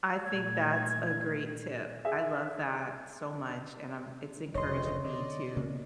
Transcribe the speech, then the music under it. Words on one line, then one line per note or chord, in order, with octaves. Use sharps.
I think that's a great tip. I love that so much, and I'm it's encouraging me to
A#2 A3 G#6
G#4 E5
F1 D2 C#5 D#5 C6
D3 D5 D#5
C#3 A#3 C#4